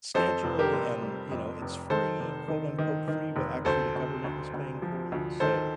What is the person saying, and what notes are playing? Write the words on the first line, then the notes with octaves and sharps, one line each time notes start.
schedule, and, you know, it's free, quote unquote "Free," but actually the government was paying for it, so,
F2 A4 C5
F1
G4 A#4
F1
G3
F2
F1
D#3 A4 C5
F1
D#3
D#3
D#3
F1
D2 A4 C5
D2
D2
D2
F3
D2
D#3 A4 C5